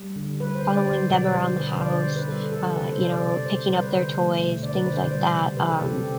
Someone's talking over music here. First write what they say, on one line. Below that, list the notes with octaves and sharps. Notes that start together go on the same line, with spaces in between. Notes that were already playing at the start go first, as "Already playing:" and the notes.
following them around the house, uh, you know, picking up their toys, things like that. Um,
Already playing: G3
D3
G3 B4
C5
D3
D5
G3 C5
B2 D5
D3 C5
D3 B4
D3 D5
C5
D3
B4
G3 A4
D3 A4
C3 B4
C5
C3
D5
C3 D5
C3 C5
G3 C5
B4
D3 C5
A3
B2
D3 D5
B4
D3 C5
D5
G3 C5
C3
C3 B4
A4
C3 G4
C4